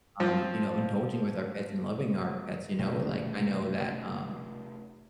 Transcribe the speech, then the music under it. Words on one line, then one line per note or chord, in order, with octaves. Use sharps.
um, you know, indulging with our pets and loving our pets, you know, like, I know that, um,
F3 C4
E1 D#2 C3 A3 C#4